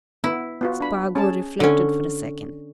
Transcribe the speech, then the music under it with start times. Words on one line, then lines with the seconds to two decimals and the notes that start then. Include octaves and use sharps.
Spargo reflected for a second.
0.24 B3 E4
0.61 B3 F4 F#4
0.80 D4 B5
1.16 C#4 G#4 A5
1.60 D3 C#4 D#4